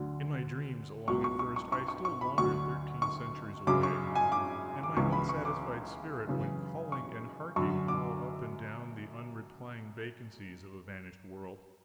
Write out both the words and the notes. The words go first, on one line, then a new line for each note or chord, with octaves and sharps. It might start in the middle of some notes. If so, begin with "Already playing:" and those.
In my dreams, along at first, I still wandered thirteen centuries away, and my unsatisfied spirit went calling and harking all up and down the unreplying vacancies of a vanished world.
Already playing: D2 D3 F#3
C#2 B2 F#3 C#6
C#6
C#6
C#6
C#6
C#6
C#6
B5
D2 D3 F#3 C#6
C#6
F#2 C#3 F#3 D6
C#6
G#5
D6
D6
C#2 C#3 E3 C#6
B5
C#6
D6
F#2 C#3 E3
C#6
F#2 D3 F#3 C#6
D6